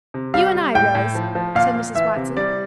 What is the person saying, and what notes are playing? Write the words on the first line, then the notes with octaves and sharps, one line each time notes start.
"You and I, Rose," said Mrs. Watson.
C3
G3 F5
G3
A2 G5
A2
F3
F3
A#2 F5
A#2
E3 E5
C3
G3 D5